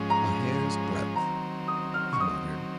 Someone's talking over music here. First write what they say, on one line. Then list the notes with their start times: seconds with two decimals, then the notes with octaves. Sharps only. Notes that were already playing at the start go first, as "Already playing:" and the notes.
"A hair's-breadth," he muttered.
Already playing: G#2 F3 G#3 C#4
0.10 A#5
1.15 D#3 F#3 C4 A#5
1.68 D#6
1.94 F6
2.13 C#6
2.20 D#6